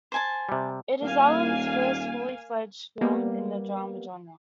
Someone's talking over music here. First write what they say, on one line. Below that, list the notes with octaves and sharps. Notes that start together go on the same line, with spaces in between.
It is Allen's first fully-fledged film in the drama genre.
C5 G#5 A5
C3 G3
D#1 A#3 F5 G#5
G3 A#3 B3